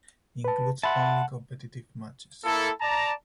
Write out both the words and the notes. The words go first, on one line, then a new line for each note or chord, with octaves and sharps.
Includes only competitive matches.
B4 A5
E5 F#5 A5 B5 C6
A#3 E4 A4
D5 A5 A#5